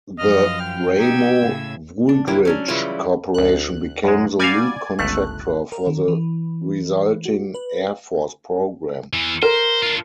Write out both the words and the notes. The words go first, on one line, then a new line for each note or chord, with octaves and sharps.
The Ramo-Wooldridge Corporation became the lead contractor for the resulting Air Force program.
F#2 F3 D#5 F5 F6
G5
D#4 G4 E6 G#6
A2 C#3
D4
D3 F#3 A#3 E4 G4
F#3 C#4 D4
C#3 E3 F#3 G3 E4 F4
D2 F#6
F#2 G#3
G3 F#4 D5 F5 G#5 G#6
G1 C#2 A3 F#6
A#4
D#3
E3
F#4
B4
E2 E3
A#4 C5
D4 F4